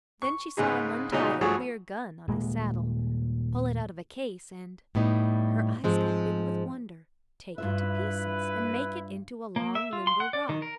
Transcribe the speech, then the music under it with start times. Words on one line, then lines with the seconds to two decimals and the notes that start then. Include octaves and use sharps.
Then she saw him untie the queer "gun" on his saddle, pull it out of a case and--her eyes got big with wonder--take it to pieces and make it into a long limber rod.
0.22 C#6
0.57 G#2 C#3 B3 D#4 G#4
1.12 A#2 C#3 F#3 B3 C#4 D#4
1.41 G2 F3 A3 F#4 G#4 C#5
2.28 D#1 G#3 A#3
4.95 A2 G3 B3 D#4
5.84 G#2 F3 G#3 C4
7.58 G2 E4 F4 B4 E5
9.56 A#3
9.75 E5
9.93 F4
10.07 C6
10.20 F#5
10.33 D5
10.49 D#3
10.62 A#4